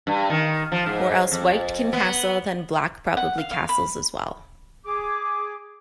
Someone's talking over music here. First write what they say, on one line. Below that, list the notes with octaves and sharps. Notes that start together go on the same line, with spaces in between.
Or else White can castle, then Black probably castles as well.
G2
D#3
F3
G#2
F2
B3
F#5
F5
F5
B5
G#4 D6